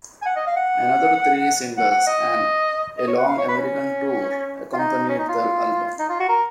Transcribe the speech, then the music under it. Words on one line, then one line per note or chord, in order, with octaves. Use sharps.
Another three singles and a long American tour accompanied the album.
G#5
F#5
D#5
F5
F#5
F#5
F#5
D#5
D#5
C#5
F#5
F5
C#5
B4
C#4
F4
D#4
C#4
D#4
F4
D#4
F4
F#4
A#4